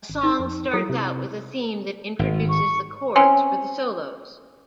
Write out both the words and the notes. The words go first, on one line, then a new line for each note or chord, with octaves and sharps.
A song starts out with a theme that introduces the chords for the solos.
G#1
D#4
F2
F#3 E4 A4
C3
G#1
C#6
C4 C#4